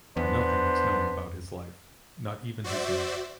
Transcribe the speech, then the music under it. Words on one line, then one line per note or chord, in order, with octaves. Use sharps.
Nothing is known about his life, not even his name.
E2 B3 D4 C5
F#4 C5 D5 E5